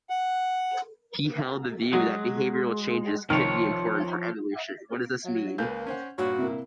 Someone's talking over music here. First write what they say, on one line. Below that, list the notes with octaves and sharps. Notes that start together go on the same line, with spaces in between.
He held the view that behavioral changes can be important for evolution.
F#5
F#3 G#3
C2 D#3 F3 C#5 F6
F#3
C#2 A#3 B4 G6
C#4 C5 F#5
G2 A#2 F#4 C#5
C3 A#3 E4